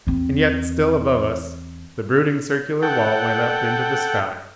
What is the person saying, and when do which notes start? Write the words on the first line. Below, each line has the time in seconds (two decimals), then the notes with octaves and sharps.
And yet still above us the brooding circular wall went up into the sky.
0.07 E2 C4
2.83 A4 F#5 G5